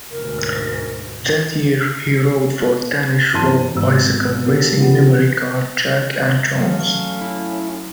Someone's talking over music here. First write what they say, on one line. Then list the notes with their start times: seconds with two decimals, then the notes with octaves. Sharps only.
That year, he rode for Danish road bicycle racing Memory Card-Jack and Jones.
0.11 D2 G#2 B2 A#4
3.33 G1 F#2 E3 A5 C6 D#7
3.75 G#1 B2 E6
4.46 B2 G3 A#4
4.77 C#3 E3 F3 G3 B3
6.55 F#2 A3 C#4 F5
7.21 E4